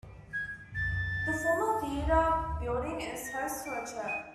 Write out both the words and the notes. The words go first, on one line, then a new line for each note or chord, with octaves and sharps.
The former theater building is host to a church.
G#6
A6
A#6
D7
D#7